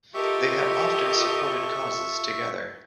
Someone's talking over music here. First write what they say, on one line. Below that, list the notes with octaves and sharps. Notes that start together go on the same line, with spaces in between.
They have often supported causes together.
F4 G4 A4 A#4 D#5 E5 C#6